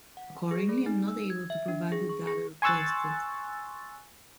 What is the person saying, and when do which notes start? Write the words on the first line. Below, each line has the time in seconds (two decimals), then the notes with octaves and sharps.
Accordingly I am not able to provide the data requested.
0.17 F#5
0.51 G#4
0.69 A3
0.86 D#4
1.08 E6
1.30 G#6
1.50 E5
1.68 D4
1.92 G#4
2.09 C#6
2.27 G#4
2.62 G#5 C6 C#6 E6 F#6 A6